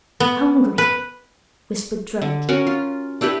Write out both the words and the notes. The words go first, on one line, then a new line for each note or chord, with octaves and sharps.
"Hungry!" whispered Drake.
B3
B4
D3
C#4 F#4 A#4
F4
D4 E4 G4 B4